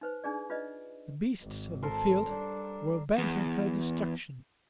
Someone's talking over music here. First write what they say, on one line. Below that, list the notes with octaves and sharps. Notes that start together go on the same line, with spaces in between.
The beasts of the field were bent on her destruction.
D#4 B4 C5
D4 D#4 G#4 D5
F4 B4 D5 D#5
G#1
A4 A#4 C5
G3 D4
E2